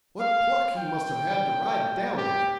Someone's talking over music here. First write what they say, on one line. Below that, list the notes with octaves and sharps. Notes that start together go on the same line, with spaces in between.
What pluck he must have had to ride down there!'
F5
G5
G4